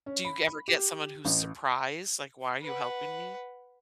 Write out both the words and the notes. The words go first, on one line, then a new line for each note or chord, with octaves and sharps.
Do you ever get someone who's surprised? Like, "Why are you helping me?"
C#4
B5
B5
G4
A1
B4 F#5